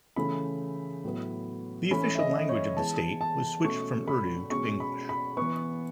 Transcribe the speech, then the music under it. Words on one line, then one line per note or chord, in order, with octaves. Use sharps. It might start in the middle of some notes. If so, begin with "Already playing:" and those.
The official language of the state was switched from Urdu to English.
C#3 E3 A3 C#4 B5
A2 F#3 B3
E3 A3 C#4 B5
E5
D#5
C#5
E3 G#3 B3 A5
A5
B2 A3 C#4 C#6
B5
B2 G#3 C#4 C#6
B5
B5
E3 B3 C#6